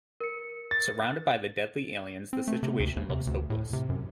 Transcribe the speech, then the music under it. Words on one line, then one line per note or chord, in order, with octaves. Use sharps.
Surrounded by the deadly aliens, the situation looks hopeless.
A#4 C#7
A6
C4
A3
C3
D2
D#2
C3
D2
A2
C3
F#2